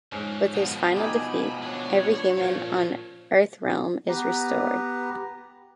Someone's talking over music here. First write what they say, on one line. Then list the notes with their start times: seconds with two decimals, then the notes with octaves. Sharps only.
With his final defeat, every human on Earthrealm is restored.
0.12 G#2 F3 A3 C#4
0.54 B2 F3 G3 G#3
0.97 D#4 G4 G#5 B5
1.63 D4 C#5
2.37 A#2 F3 C4 C#4
4.08 B3 G4 B4 A#5